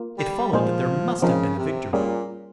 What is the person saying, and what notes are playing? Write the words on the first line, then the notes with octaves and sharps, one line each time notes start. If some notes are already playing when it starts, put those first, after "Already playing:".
It followed that there must have been a victory.
Already playing: A#3 F4
G3
A#2 F3 G#3 D#4 G#4 C5
C#3 F3 C4 D#4 A#4
C3
A#2 G3 A#3 C#4 G#4